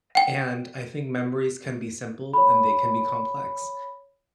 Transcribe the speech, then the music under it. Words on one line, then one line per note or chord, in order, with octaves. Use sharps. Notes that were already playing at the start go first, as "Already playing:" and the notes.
and I think memories can be simple and they can be complex,
F#5 G5
C#5 B5